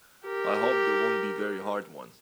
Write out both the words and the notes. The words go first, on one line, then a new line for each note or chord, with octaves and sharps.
I hope they won't be very hard ones.
G4 A#4